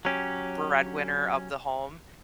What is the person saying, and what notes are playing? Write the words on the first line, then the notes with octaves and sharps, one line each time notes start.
breadwinner of the home,
F#3 C#4 G4